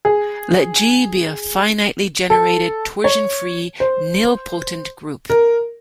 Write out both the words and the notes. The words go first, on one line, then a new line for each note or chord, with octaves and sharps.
Let "G" be a finitely generated torsionfree nilpotent group.
G#4
A4
C#5
C5
A#4